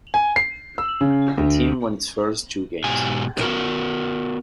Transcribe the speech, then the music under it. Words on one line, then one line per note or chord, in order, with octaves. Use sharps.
The team won its first two games.
G#5
C7
E6
C#3
D2
G#2 B2 G4 G#5
B3 F#4 A#4